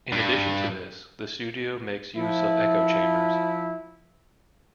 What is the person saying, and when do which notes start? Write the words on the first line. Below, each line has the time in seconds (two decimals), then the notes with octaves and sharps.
In addition to this, the studio makes use of echo chambers.
0.13 G2
2.17 F3 E4